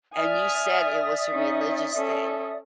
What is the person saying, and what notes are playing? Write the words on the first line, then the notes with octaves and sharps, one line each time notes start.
and you said it was a religious thing
D5 E5 G#5 D#6 F6
C#4 D#4
C#4 A4